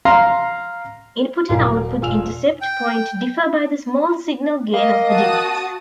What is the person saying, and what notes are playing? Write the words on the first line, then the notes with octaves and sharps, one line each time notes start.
Input and output intercept point differ by the small-signal gain of the device.
F5 A#5 C6
D#1 F#3 A#4 F5 G#5
E1 F4 G#5 E6 F7
G5
A#3 D#5
F#4 A5 D#6